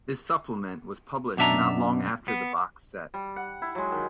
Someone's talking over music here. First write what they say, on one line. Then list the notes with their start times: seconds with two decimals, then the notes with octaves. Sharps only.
This supplement was published not long after the box set.
1.37 F#2 B2 D4 E5 A5 A#5
2.28 B3
3.14 G3
3.36 F#5
3.62 E4
3.75 F#3 G#3
3.92 D#3